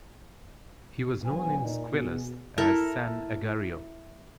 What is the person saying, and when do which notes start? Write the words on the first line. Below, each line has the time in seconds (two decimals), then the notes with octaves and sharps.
He was known in Squillace as "San Agario".
1.24 A#1 E2 F3 F#3 B4 G#5
1.60 A#2 D#4
1.91 B2 G#4
2.58 E4 A4 A#4